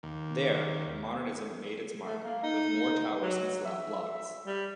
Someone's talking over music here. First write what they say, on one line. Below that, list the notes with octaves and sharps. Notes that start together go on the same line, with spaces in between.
There, modernism made its mark, with more towers and slab blocks.
D#2
A3
A#3
D#4
F#3
E5
G3